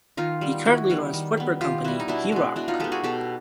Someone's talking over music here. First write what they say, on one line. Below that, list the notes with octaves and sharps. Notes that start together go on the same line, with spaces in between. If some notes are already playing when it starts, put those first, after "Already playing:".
He currently runs footwear company, Heroyk.
D#3 D#4 F4
G3 B3
D#3 E4 F#4
G3 B3
D#3
G3 B3
D#3 F4 G4
G3 B3 E4 F#4
D#4
B2 D4 E4
G#3 B3
B2 D4 E4
D#4 F4
G#3 B3 G4 A4
F#4 G#4
B2 G4 A4